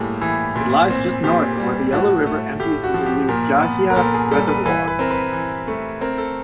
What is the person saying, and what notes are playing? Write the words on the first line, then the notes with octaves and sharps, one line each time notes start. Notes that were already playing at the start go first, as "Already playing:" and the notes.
It lies just north of where the Yellow River empties into the Liujiaxia Reservoir.
Already playing: A2 G3 A#3 G4 G#4
E3
A#2
C4
A#2 G4
G3
A2 F#4
A3
A2 G4
F#4
F3
G4
A#2 A#4
B3
A#4
A#2 A4
G#4
G3 A4
B4
E3 B4
B4
C4 A#4
B4
E3
A3
C4 A#4
A4